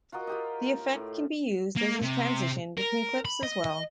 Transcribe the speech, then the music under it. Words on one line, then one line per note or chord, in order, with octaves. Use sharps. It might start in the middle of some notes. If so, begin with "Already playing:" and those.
The effect can be used as a transition between clips as well.
F4 F#4 A#4 D#5
F4 G4 D#5
A2
A#3
C3
A#4
B5
D#5